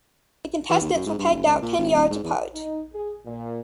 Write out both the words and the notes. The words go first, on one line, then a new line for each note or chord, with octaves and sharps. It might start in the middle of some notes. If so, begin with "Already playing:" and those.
The contestants were pegged out ten yards apart.
E3
D#2
F#2
G#2
G2
F#1
C#2
A#2
G#1
D#1
G#2
E2
D#4
G#4
A#2